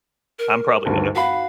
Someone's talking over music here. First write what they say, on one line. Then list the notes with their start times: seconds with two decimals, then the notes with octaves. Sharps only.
I'm probably gonna.
0.39 A#4
0.86 D2 G2 D#3
1.15 F#4 F5 B5